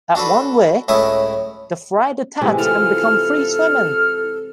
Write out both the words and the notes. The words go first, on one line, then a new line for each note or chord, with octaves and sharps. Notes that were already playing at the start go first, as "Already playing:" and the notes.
At one week, the fry detach and become free-swimming.
D4 F#4 A4 B4
C#2 A2 E4 E5 C#6 D#6
A2 C3 E3 G#3
E4 F4 A4 F6